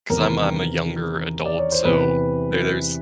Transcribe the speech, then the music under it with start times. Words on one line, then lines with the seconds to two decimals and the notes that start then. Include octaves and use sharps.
'cause I'm I'm a younger adult, so there there's
0.10 E2 C3 D#3 A#4
1.46 D5
1.59 C#5
1.72 C5
1.85 E2 C3 E3 B4